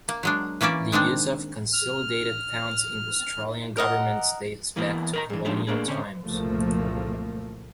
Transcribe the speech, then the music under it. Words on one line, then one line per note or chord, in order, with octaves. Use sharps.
The use of consolidated funds in Australian government dates back to colonial times.
A#3
F#3 G#3 D4
E3 A#3 C#4 D5 E5
D#3 G#3 C4 D4
F6
A#4 D#5 F#5
E2 E3 A#3 E4 A#4 D#5
A#4 D#5 A#5
G2 E3
F3 G#3 D4 D#4 G4
A3 A#3 D4 G#4
D3 C4 C#4
F#1 C2 A#2 F3 A3 A#3